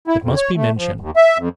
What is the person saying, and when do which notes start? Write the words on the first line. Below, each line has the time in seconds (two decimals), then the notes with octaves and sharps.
'It must be mentioned.
0.07 E4
0.22 F2
0.36 C#5
0.56 A3
0.77 F3
1.00 D#2
1.16 E5
1.38 F2